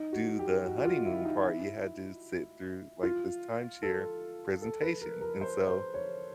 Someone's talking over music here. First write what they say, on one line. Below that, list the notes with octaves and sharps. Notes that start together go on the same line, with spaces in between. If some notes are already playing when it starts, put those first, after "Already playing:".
do the honeymoon part, you had to sit through, like, this timeshare presentation, and so,
Already playing: D#4
F#4
G4
F#4
F#4
F4
E4
D#4
E4
F4
A4
A4
B4
A#4
A#4
C5
C5
C#5